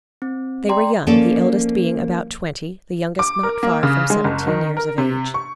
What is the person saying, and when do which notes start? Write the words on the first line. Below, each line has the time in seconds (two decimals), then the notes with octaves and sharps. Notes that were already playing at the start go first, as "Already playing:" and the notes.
They were young; the eldest being about twenty, the youngest not far from seventeen years of age.
0.22 C4
0.69 D5 G5 A#5 C6
1.07 F3 A#3 C#4 A4 D5
3.19 D6
3.43 A#4
3.63 A#3
3.83 C#3
4.10 G#3
4.24 F#1
4.47 D#3
4.77 A#4
4.98 C3
5.34 C#6